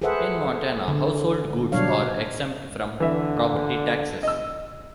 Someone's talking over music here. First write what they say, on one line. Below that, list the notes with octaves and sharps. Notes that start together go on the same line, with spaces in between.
In Montana, household goods are exempt from property taxes.
G#4 A4 B4 C5 E5 F#5
D3
B2 F#3 G3 D4 C#5 F5
D3 E3 E5
D#5 E6